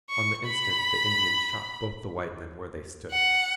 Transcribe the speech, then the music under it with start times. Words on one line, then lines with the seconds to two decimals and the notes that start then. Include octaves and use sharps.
On the instant the Indians shot both the white men where they stood.
0.09 C#6
0.46 B5
3.11 F#5